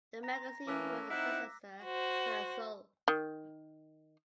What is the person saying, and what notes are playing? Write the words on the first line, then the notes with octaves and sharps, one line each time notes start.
The magazine was the successor to "Azul".
A#5 A#6
E3 A3 A#3 C#4 D6 E6 F#6
C4 D#4 E4 F#5 B6
F#4 C5
D#3